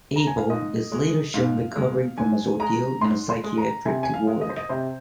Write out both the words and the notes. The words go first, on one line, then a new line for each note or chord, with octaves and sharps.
Abel is later shown recovering from his ordeal in a psychiatric ward.
A#5
G#5
F5
G#2 D#5
G#3
G#2 F5
G#3
G#2 G#5
G#3 A#5
G#2 C6
C6
G#3
A#5
C3 G#5
G#5
F5
G#3
D#5
C5
D#5
C3 C5